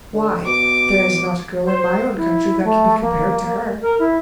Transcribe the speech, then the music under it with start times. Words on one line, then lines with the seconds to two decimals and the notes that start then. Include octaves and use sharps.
'Why, there is not a girl in my own country that can be compared to her.
0.14 D3
0.46 B2 D6
1.66 C5
2.16 E4
2.64 A3
3.01 A#3
3.82 A#4
3.99 E4